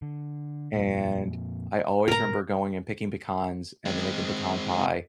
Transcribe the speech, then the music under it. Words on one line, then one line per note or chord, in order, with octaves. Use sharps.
And I always remember going and picking pecans and then making pecan pie
D3
F2 A#2
G#2 B2 A#4 A#5
G#3 C4